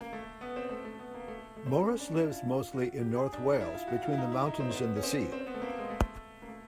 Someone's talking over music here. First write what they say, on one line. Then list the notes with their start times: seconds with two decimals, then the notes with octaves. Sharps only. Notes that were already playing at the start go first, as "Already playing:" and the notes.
Morris lives mostly in North Wales, between the mountains and the sea.
0.01 A#3
0.13 A3
0.41 B3
0.56 C4
0.71 A3
0.85 A3
0.99 B3
1.14 A#3
1.28 A3
1.57 A3
1.66 C4
1.76 C#4
1.86 C#4
2.00 D4
2.15 E4
2.30 F4
2.73 F#4
3.01 G4
3.16 G#4
3.33 D4
3.47 D#4
3.61 E4
3.74 F4
3.87 F#4
4.03 F4
4.13 E4
4.17 D#4
4.32 E4
4.46 D#4
4.60 C4
4.71 C4
4.75 B3
4.96 C#4
5.03 C4
5.32 C4
5.46 B3
5.54 A3
5.62 A#3
5.78 G#3
5.90 A3
6.42 A#3
6.48 A3